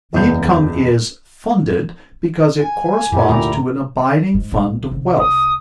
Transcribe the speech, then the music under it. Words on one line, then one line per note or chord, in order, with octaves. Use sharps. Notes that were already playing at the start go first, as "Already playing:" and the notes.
The income is "funded" because it corresponds to an abiding fund of wealth.
F#1 E2 G6
G#5
F#2 A#2 E4 G4
D2 G#2 A3 A#5
G#2
B1
C2
C2 D#6